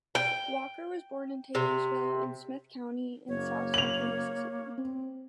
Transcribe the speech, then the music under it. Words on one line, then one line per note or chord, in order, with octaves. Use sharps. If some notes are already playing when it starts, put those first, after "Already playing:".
Walker was born in Taylorsville in Smith County in south central Mississippi.
G5
C3
F#1 A#3 C#5
F7 F#7
C4